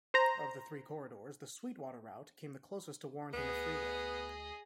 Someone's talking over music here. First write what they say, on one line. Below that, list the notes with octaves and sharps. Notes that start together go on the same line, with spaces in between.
Of the three corridors, the Sweetwater route came the closest to warranting a freeway.
C5 A#5
D2 B3 G#4 D#5